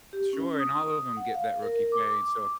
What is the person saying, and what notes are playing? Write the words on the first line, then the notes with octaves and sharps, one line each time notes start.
Sure, and all of 'em get that rookie pay, and so
G4
C#4
D#6
F#5
F5
A#4
D6